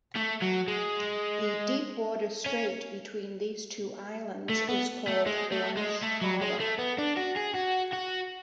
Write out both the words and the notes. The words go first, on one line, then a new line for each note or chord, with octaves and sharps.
The deep water strait between these two islands is called Blanche Harbor.
A3
F#3
G#3
C#4
A3
B3
A3
G#3
A3
G#3
A3
F#3
G#3
A3
B3
D4
F#4
G#4
F#4
F#4